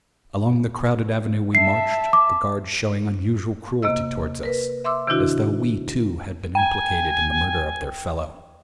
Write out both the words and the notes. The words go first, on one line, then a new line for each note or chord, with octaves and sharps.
Along the crowded avenue we marched, the guards showing unusual cruelty toward us, as though we, too, had been implicated in the murder of their fellow.
E5 A5 C7
D6
C3 A#3 D#5 E6
A#4 B4
E5 C6 D6 E6
C3 D#3 D4 E4 F#4
G5 G#5